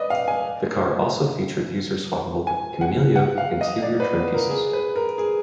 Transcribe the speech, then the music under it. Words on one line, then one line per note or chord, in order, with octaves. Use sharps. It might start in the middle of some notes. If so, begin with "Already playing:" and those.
The car also featured user swappable "Cameleo" interior trim pieces.
Already playing: B4 D5 D#5
F5
G#5
G#5
F#5
F#5
F5
D#5
D5
B4
B4
A#4
G#4
B4
A#4
G#4